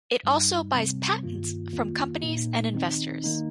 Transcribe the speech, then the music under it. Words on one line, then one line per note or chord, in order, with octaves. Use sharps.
It also buys patents from companies and inventors.
G2 G3 D#4
C3 G3 C4
G2 D#3 A#3 F4
F2 D#3 A#3 F4
A#2 A#3 D#4
D#3 C4 D#4
D#3 A#3 D#4